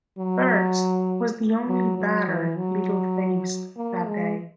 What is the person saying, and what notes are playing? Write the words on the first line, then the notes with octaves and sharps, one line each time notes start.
Wertz was the only batter Liddle faced that day.
F#3
F#3
F#3
E3
F#3
A#3
G#3